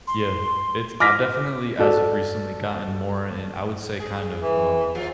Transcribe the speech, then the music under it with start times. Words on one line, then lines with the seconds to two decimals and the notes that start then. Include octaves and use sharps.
Yeah. It's I've definitely, as of recently, gotten more in I would say kinda, um
0.07 C6
1.00 D6 F6 A#6 B6
1.79 F#4 A4 D5
4.00 G#4
4.41 E3
4.95 F3 F#3 F4